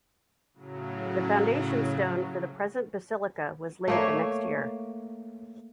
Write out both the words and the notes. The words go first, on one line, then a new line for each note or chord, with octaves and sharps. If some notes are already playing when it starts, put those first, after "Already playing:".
The foundation stone for the present basilica was laid the next year.
A2 C#3 F#3
A3 A#3 C#5